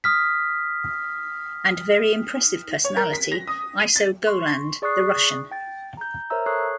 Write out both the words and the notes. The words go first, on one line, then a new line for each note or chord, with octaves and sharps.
And a very impressive personality: Iso Golland, the Russian.
D#6 F6 B6
C#5
A#4
B6
A#6
D#6
D#7
A6
C6 C#6
G#4 D5 C#6 D#6 F#6 C7
G5 A6
A#5 G6
A#4 C5 C#5 E5 A#5 E6
A4 C#5 C#6 D#6 F#6 C7